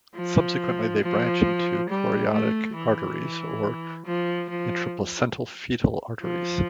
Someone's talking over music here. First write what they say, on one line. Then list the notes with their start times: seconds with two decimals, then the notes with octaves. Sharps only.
Subsequently, they branch into chorionic arteries or "intraplacental fetal arteries".
0.15 F3
1.02 F3
1.89 G3
2.32 A3
2.76 E3
4.05 F3
4.49 F3
6.22 F3